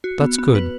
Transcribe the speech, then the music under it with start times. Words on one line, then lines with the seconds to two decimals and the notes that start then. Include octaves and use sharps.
"That's good."
0.04 F#4
0.21 B3
0.38 B3
0.55 B4